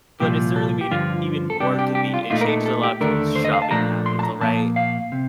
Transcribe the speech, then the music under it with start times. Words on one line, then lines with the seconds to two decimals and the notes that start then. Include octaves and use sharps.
but it certainly made it even more conven it changed a lot of people's shopping habits, alright?
0.20 C2 A#2 F3 G4
0.56 A4
0.81 G4
0.90 G2 D3 F3 F4
1.50 A4
1.60 C3 G3 D4 G4
1.79 G4
1.95 G4
2.14 F4
2.30 A#2 A3 D#4 F4
2.41 A#4
2.48 A4
2.66 A4
2.83 G4
3.01 D#2 D3 A3 D4 A#4
3.36 C5
3.45 D#5
3.53 F5
3.62 A5
3.71 A#2 F3 A3 D4 A#5
4.06 C6
4.19 A5
4.23 A#5
4.41 A#2 F3 A#3 A5
4.76 F5
5.12 C3